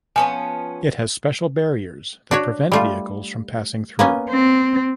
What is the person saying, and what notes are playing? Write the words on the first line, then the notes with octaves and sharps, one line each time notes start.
It has special barriers that prevent vehicles from passing through.
F3 B3 C#4 G#5
D4 F#4 C#5
G3 A3 F4
A#3 B3 C#4
C4